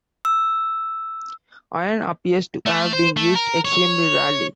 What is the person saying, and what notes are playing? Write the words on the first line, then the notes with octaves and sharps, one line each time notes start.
Iron appears to have been used extremely rarely.
E6
A3
C5
A3
A#4
C#5